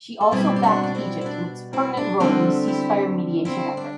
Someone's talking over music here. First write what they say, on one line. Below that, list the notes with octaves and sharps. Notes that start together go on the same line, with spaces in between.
She also backed Egypt in its pertinent role in the ceasefire mediation effort.
A4
B2 G3 C4 E4 G4
G4
D4 F#4
D4
C4 E4
E4
D4
C4 E4
D4
D3 G3 C4 F#4 A4
E4 G4
C4 E4
D4